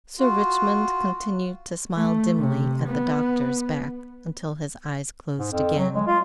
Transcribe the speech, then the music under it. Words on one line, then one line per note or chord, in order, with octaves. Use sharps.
Sir Richmond continued to smile dimly at the doctor's back until his eyes closed again.
F4 F#4
A3
C3
B3
G#2
F2
F#3
G#3
F4